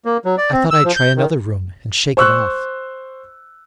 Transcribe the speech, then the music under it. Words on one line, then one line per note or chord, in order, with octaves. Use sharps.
I thought I'd try another room, and shake it off.
A#3
F#3
D5
C4
E6
F3
G6
D#3
C5 C#6 E6 F#6